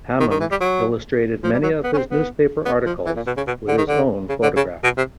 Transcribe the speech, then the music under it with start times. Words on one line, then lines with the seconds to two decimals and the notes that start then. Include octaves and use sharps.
Hammond illustrated many of his newspaper articles with his own photographs.
0.20 D#3
0.30 D#3
0.40 E3
0.51 G3
0.61 F#3
1.43 F3
1.53 G3
1.63 F#3
1.84 B3
1.93 C#4
1.98 C4
2.11 B3
2.65 B3
2.86 F3
3.06 E3
3.16 A#2
3.27 B2
3.37 C#3
3.47 B2
3.68 D3
3.78 D#3
3.88 D3
4.29 C#3
4.43 D3
4.56 C#3
4.84 B2
4.97 C3